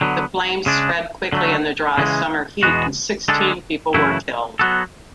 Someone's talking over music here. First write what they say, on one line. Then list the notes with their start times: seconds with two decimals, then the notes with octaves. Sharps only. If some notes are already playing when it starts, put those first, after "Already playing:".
The flames spread quickly in the dry summer heat, and sixteen people were killed.
0.01 D3 F#3 B3
0.66 C#3 G#3 D4
1.32 D3 F#3 A3
1.98 C#3 E3 G#3
2.63 E2 B2 G#3 B3 F#4
3.28 D3 G#3 D4 A4
3.94 F#2 C#3 E3 A3 E4
4.59 F#3 B3 F#4 A4